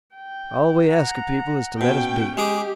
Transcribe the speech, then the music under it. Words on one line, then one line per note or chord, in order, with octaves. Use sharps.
All we ask of people is to let us be.
G5
F#5 A#5
B2 C#4 G5
G#3 G4 G#4 D6